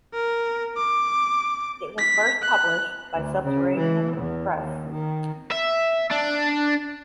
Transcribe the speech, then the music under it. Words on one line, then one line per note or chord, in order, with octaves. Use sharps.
It was first published by Subterranean Press.
A#4
D6
B6
F#6
D2
C#3
E3
E2
D#2
D#3
E5
D4